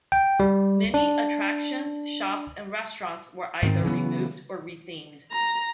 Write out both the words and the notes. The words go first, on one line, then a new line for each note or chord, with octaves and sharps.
Many attractions, shops, and restaurants were either removed or rethemed.
G5
G3
D4
G#2 D#3 C4
C#3 E3 F#3 B3
A#5